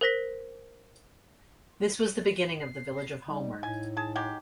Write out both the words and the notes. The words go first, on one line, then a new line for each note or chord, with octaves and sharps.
This was the beginning of the village of Homer.
A#4 C5 A#6 B6
C7
G3 D#4
A2 G#5
G#4 A5
F#3 G#3 G4